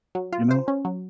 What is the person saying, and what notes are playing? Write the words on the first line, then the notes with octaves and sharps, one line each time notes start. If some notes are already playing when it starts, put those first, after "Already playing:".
you know?
F#3
F4
C5
C#4
F#3